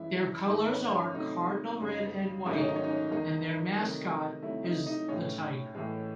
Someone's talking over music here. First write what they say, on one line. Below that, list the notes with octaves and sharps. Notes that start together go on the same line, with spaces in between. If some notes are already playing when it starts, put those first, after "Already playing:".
Their colors are cardinal red and white, and their mascot is the Tiger.
Already playing: F#2 E3 G#3 E4
G#2 D#3 A3 D#4
C#4
C#4
C3 F#3 A3 D#4
F#2 C#3 G#3
G#2 D#3 F#3 A3 C#4
D#4
C#4
D#4
C#4
D#4
C#4
E2 D#3 G#3 D#4
C3 D#3 F#3 A3
C3 F#3 A3 E4
D#4
D#4
A2 G#3 C#4
A2 E3 G#3